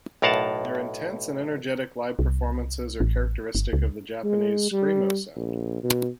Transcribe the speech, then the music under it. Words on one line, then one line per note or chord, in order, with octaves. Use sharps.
Their intense and energetic live performances are characteristic of the Japanese screamo sound.
B1 A2 A#4 F5 F#5 A5
C2
A1
G1
C#2
G#3
G3
A#1
B2